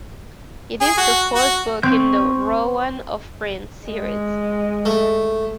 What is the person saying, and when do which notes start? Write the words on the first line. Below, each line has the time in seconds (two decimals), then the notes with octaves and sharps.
It is the fourth book in the "Rowan of Rin" series.
0.81 G#4
0.98 F#4
1.36 F#4
1.83 C4 C#6 G6
3.87 G#3
4.85 A3